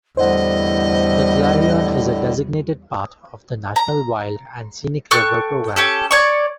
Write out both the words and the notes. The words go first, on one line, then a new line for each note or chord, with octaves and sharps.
The Clarion is a designated part of the National Wild and Scenic River program.
E2 A2 D3 G3 C5 D#5 F#5
A#5
A4 G5 C#6 F#6
C#4 G4 A4
C#5 D5 C#6